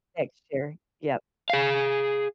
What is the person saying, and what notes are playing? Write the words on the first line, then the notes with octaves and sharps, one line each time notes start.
Next year, yep.
G#4 F5